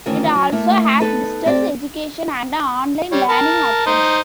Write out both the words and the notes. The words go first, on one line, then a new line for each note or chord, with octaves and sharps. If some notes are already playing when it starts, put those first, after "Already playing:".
It also has distance education and online learning options.
D2 D#3 E3 C#4 F4 A#4
F#3
A3 A#3 E4
B3 D#4 A4 B4
C4 G4 D5
G3 C#5
A#4 A5
D#4 C5